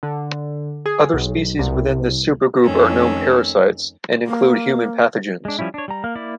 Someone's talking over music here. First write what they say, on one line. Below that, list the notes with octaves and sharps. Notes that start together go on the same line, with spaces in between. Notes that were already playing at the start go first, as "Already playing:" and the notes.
Other species within this supergroup are known parasites, and include human pathogens.
D3
G#4
B1
C2
F2 D#3 A3 C#4 E6
A#3
G#3 D4
F3 G3 C#4 E4
D4 C#5
G3 A#5
A#3 F5 F6
A#3 E4 D5